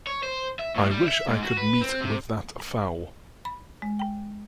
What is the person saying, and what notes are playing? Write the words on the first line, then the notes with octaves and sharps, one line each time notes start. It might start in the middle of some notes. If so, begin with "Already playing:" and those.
I wish I could meet with that fowl.
C#5
C5
E5
A2
G3
E5
G#2
F#4
B4
C4
C3
B5
G#3
G5